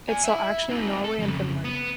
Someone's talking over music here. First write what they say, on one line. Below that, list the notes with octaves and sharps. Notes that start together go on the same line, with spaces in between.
It saw action in Norway and Finland.
D5 G#5
E4 E5
C4 D#4
A4
F2 C#3
B3